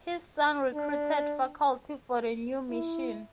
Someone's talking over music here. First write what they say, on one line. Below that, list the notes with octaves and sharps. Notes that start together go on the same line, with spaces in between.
His son recruited faculty for the new mission.
D4
E4